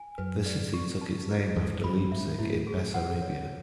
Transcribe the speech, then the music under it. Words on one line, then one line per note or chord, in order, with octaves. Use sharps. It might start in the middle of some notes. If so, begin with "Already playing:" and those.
The city took its name after Leipzig in Bessarabia.
Already playing: G#5
F#2 B4
D5
C#6
A5
B4
E2 A4
F#2 B5
G#2 E5
A2 E4
G#4
F#5
C#5